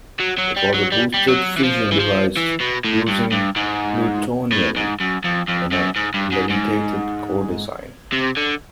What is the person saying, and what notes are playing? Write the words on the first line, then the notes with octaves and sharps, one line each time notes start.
It was a boosted fission device using plutonium in a "levitated" core design.
F#3
F#3
G3
F#3
G3
G3
F#3
E3
F3
E3
F3
E3
B2
A2
G2
G2
G#2
A2
G#2
F#2
F2
F2
F#2
G#2
G2
G#2
G#2
C3
D3